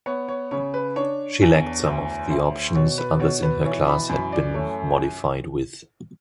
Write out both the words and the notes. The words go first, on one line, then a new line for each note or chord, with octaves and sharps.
She lacked some of the options others in her class had been modified with.
B3 C#5
C#5
C#3 C#5
B4
D4 C#5
E2
D2
D2
B2 C#5
B4
B2 C#5
B4
E3 C#5
B5
F#2 B5
D5
A3 C#5